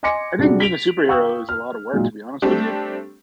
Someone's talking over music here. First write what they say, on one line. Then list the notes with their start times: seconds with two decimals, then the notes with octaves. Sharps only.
I think being a superhero is a lotta work, to be honest with you.
0.03 D#5 G#5 C6 D6 A#6 C#7
0.39 C3 G3 D4 F#4 G#4
0.60 B6 D7 F7
1.08 F5 G5 C#6 D#6 E6
1.49 F6
1.93 A#2 F#3 G#3 D#4
2.42 G3 A3 C4 D4 G4